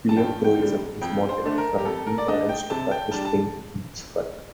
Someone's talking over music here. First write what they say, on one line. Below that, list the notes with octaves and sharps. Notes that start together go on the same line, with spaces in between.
Pleochroism is moderate, from pink-orange or purplish pink to pinkish purple.
A5
G2 G5
G5
D3 G3
F2 G5
C5
D3 A3 D4
A#4
G4
F2 A4
A#4
D5
D3 A3 D4 D#5
G5
C3 A5
G5
G3 D4 A5
A5